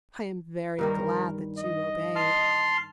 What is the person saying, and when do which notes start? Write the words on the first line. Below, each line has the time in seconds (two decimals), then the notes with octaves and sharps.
I am very glad that you obeyed.
0.79 G2 D#3 G3 A#4
1.58 D#5
2.16 A5 C6 F6